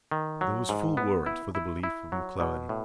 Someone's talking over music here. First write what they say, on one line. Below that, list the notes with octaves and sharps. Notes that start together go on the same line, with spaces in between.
There was full warrant for the belief of McClellan.
D#3
F#3
G#2
B3
E4
E4
E4
F#3
B2
A2